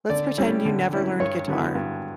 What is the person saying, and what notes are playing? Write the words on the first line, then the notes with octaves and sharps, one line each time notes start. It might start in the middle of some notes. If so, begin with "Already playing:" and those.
let's pretend you never learned guitar,
D3 D5
G3 C#4 E4
D3
G3 C#4 E4
G2 C#5
D3 F#3 B3 E4
G2